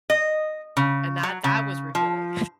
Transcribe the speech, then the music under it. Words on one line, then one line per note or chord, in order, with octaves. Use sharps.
And that that was revealing.
D#5
C#3
F#3
C#3
F3